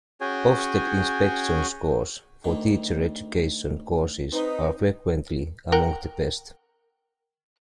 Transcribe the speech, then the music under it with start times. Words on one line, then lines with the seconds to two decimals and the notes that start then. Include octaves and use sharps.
Ofsted inspection scores for teacher education courses are frequently among the best.
0.21 C#4 F#4 G#4 C#5 G5 G#5
2.44 D2 D#3
4.32 C4 D#4 B4
5.72 A#4 F#5 G5